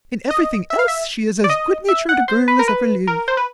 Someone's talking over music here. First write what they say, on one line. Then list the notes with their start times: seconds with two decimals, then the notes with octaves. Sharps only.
In everything else she is as good-natured a girl as ever lived.
0.30 D#5
0.70 E5
0.79 F5
0.88 E5
1.44 D5
1.49 D#5
1.89 E5
2.09 F#5
2.28 C5
2.48 B4
2.59 A#4
2.68 B4
3.07 A#4
3.28 C5
3.37 B4